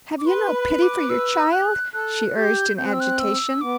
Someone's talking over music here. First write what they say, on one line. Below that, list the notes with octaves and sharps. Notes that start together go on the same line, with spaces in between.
"Have you no pity for your child?" she urged in agitation.
D6
B4 C6
B5
D6
E6
F#6
A4 F#6
G4 G6
C4 G6
F#6
E6
F#6
E6
B3 D6